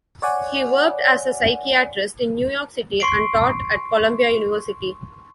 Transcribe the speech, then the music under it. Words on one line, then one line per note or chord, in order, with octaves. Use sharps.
He worked as a psychiatrist in New York City and taught at Columbia University.
C#5 D5 F#5 G#5
C6 C#6 C7 D7